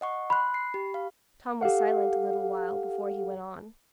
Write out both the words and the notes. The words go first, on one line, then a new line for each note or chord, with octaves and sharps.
Tom was silent a little while before he went on.
D#5 F#5 C#6
B5 C6 F#6
C7
G4
F5
G4 A4 F5 F#5